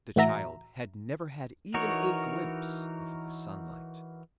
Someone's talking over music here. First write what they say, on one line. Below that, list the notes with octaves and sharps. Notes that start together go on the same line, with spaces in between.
The child had never had even a glimpse of the sunlight.
A2 E3 F#4 E5 A#5
E3 D#4 F#4 A#4 C#5